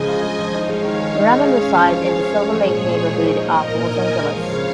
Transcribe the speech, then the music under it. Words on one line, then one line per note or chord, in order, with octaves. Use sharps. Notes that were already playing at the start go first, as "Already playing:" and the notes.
Raman resides in the Silver Lake neighborhood of Los Angeles.
Already playing: C#3 F3 G#3 D#5 G#5
F4
G#3
F3
D#4 C#5 F5
G#3
D#3
G#4
D#4
G#3
G#4
C#4
F3
F3
G#4
C#4
G#3 G#4 C#5
F3
A#2
A#2
G#3
F3
D#4 A#4 D#5
A#3
A#2
A#2 D#5 G#5
D#4
A#3
G#3 C#5 F5
F3
C#3